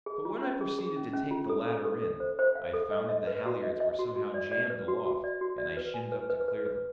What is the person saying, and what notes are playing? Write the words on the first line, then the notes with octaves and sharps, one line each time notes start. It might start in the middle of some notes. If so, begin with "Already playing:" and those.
But when I proceeded to take the latter in, I found that the halliards were somehow jammed aloft, and I shinned up to clear them.
G#4
F4
C#4
G#4
G#4
C#4
C#4
F4
A4
A4
A4
A4
C5
C5
F5
A4
D#5
D#5
B4
F#4
D#5
D#5
F#4
F#4
D5
D5
B4
F#4
F#4
D5
F#4
D5
B4
G#5
B4
B4
B4
B4